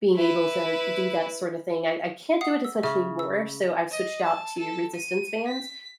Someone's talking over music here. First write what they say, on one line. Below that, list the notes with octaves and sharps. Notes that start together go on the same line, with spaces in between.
being able to do that sort of thing, I I can't do it as much anymore, so I've switched out to resistance bands
E4 B4
F#5 D#6 C7
E6
C#3 E5
E6
D#5
A5
A4
D#7
B6